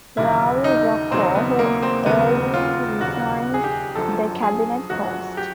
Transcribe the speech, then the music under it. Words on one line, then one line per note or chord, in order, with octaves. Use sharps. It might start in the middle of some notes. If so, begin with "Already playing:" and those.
Raul Roco, who earlier resigned the cabinet post.
E1 D#2 C#3 F#3 E4
D#4
E1 D#2 C#3 F#3 C4
B3
A#3
C4
E1 D#2 C#3 F#3 B3
F4
E1 D#2 C#3 F#3 F#4
G#4
G4
G1 F#2 D3 F3 A4
G#4
G1 F#2 D3 F3 F#4
G4